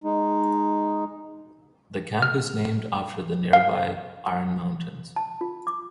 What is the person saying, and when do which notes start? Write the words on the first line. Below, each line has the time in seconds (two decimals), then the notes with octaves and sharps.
The camp is named after the near by Iron Mountains.
0.04 G#3 D#4
2.22 F6
3.53 F5
5.16 A5
5.41 F4
5.67 D6